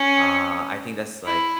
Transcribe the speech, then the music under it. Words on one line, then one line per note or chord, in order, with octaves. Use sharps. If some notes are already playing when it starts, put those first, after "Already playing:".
Uh, I think that's, like,
Already playing: C#4
E4